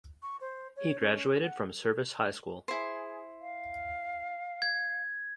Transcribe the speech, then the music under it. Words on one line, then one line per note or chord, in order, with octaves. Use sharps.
He graduated from Service High School.
C#6
C5
C#5
C#4
F#5
E4 G#4 C5
F5
G#6